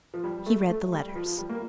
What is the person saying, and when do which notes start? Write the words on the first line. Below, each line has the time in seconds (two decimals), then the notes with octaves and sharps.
He read the letters.
0.14 F3
0.24 G3
0.46 A3
0.70 A3
0.92 G3
1.15 F3
1.26 F3
1.38 G3
1.49 A#3